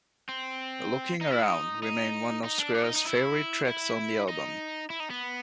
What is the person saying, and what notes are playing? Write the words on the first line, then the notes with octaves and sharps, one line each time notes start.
"Looking Around" remained one of Squire's favourite tracks on the album.
C4
D#4
E4
D#4
D#4
D#4
D4
D4
D#4
D#4
E4
E4
D#4
E4
D#4
B3